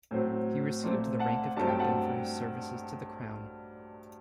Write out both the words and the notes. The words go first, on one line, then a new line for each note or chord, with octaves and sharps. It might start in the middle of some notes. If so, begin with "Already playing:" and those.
He received the rank of captain for his services to the Crown.
A2 F#3 C4
A#2 A3 C4
F#5 A5
G2 F#3 A3 C4 A5
G5
F#5 A5